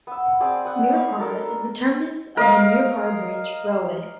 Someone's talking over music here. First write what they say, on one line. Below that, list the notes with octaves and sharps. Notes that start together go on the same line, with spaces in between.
Murupara is the terminus of the Murupara Branch railway.
B3 E6
C4 G#4 D5
B3 F#5
F5 C#6
D4 A4 A#4
A#4 D#5 F5